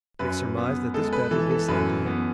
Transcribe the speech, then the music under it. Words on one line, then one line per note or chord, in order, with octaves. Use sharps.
Dick surmised that this bed would be assigned to him.
F#2 B4
B3
G#3 A4
B4
E3 A4
A4
F#2 B4
B3